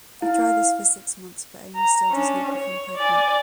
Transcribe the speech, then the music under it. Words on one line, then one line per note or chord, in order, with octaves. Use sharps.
They try this for six months but Amy still does not become pregnant.
E4 F5
A#5
C#4 D4
C#5
D5 G#5